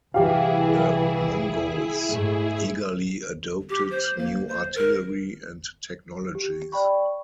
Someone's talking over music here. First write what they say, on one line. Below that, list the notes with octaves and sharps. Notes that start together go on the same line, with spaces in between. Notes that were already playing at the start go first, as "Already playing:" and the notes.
The Mongols eagerly adopted new artillery and technologies.
C2 E3 E4 G4 G#4 F5
G#2 A3
G4
C5
A#3
C5
A#4
G4
D5 G5 B5 C#6